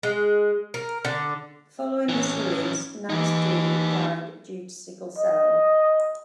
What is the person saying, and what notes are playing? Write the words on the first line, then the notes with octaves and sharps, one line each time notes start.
Following this release, Nyce D died due to sickle cell.
G#3
A#4
D3
E3 C#4
E3 D#4 G4
D#5